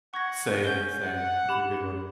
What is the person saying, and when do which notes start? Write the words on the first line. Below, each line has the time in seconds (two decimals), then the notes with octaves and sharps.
Same, same. Have a good one.
0.14 F#5 C#6 G#6 A#6
0.64 C#4 G6 G7
1.03 F#5
1.49 G4 B5